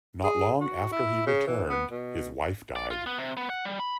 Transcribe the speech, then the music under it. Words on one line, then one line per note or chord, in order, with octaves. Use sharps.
Not long after he returned, his wife died.
G#4
F#4
E4
C#3
E3
B3
B2
D5
F4
B3
C3
B3
F#5
G3
B5